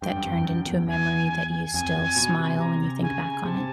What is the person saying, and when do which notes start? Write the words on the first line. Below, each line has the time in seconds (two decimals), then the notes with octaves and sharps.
that turned into a memory that you still smile when you think back on it?
0.01 G2 G5
0.16 F#2
0.23 F2
0.44 F#2
0.66 E2
0.87 E2 G#5
1.74 F2 G#5
1.95 F2
2.16 B2
2.38 C3
2.59 C3 A#5
3.02 C#3 G#5
3.45 C3 A5